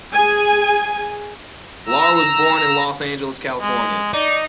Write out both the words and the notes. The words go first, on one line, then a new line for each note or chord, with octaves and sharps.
Lohr was born in Los Angeles, California.
G#4 G#5
A#5 E6
G#3
D#4 D5